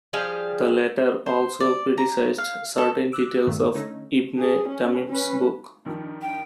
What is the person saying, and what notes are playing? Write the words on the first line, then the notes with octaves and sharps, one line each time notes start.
The latter also criticized certain details of Ibn Tamim's book.
F3 G3 G#4 F5
C5
D5
A#5
F5
A4
D6 E6 F#6
G2 A#2 D#3 A3
D3 A3 C#4 D#4
G#4
C#4
C#4 B4
G2 D#3 F3
G5